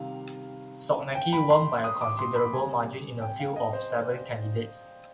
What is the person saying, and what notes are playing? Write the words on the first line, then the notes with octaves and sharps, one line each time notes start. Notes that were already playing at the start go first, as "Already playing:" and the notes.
Soknacki won by a considerable margin in a field of seven candidates.
Already playing: C3 D#3 G3 F5
G5
B5
C6
D#6
D6
C6
B5
C3 G3 G#5
G5
F5
D#5
C5
D5